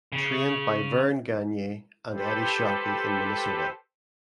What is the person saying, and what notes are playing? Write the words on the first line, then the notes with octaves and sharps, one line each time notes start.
Trained by Verne Gagne and Eddie Sharkey in Minnesota.
C#3
G4 A4 B4 C5